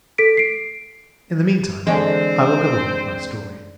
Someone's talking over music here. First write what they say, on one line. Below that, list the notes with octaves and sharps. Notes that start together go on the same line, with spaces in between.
In the meantime, I will go on with my story.
A4 B6 D7
C7 D7
D3 E3 G#3 C4 D4 C5 G5